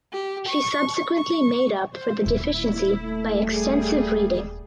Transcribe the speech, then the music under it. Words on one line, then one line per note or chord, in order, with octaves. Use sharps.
She subsequently made up for the deficiency by extensive reading.
G4
C#6
C#6
C5
D#1 A#3 E4
A3
G3 G#4